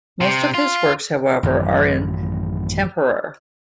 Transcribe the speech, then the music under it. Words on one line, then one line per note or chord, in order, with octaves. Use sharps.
Most of his works, however, are in tempera.
C3
F4
A1 F#2 D#3 F#3